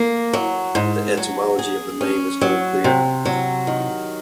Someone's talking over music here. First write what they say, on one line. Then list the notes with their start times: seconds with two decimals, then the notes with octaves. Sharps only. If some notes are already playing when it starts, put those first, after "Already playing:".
The etymology of the name is unclear.
Already playing: A#3
0.33 F#3
0.75 G#2
1.17 F#3
1.59 G#4
2.01 C#4
2.41 F#3
2.84 C3
3.25 F#3
3.67 D#3